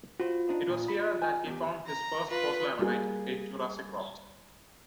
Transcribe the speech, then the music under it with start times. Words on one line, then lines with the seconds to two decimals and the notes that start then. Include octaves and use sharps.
It was here that he found his first fossil ammonite, in Jurassic rocks.
0.20 F4 F#4 C5
0.48 D4 D#4 C5
0.66 A#2 D4
0.88 B5
1.22 G#5
1.47 E2 G4
1.86 A#5
2.29 F4 B4
2.79 G3 A#3 G#4